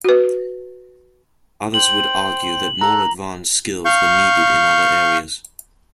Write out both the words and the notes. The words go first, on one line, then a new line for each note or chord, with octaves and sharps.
Others would argue that more advanced skills were needed in other areas.
F#4 B4
C5 G5 F#7
A4 A#5 F#6
F5 C#6 G6